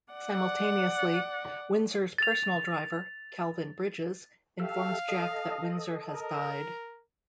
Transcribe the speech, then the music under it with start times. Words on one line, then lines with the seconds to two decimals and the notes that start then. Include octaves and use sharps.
Simultaneously, Windsor's personal driver, Calvin Bridges, informs Jack that Windsor has died.
0.13 D5 F#5
2.18 A6 F7
4.60 G4 A4 E5 F5
5.08 A4 D#5
6.13 A#4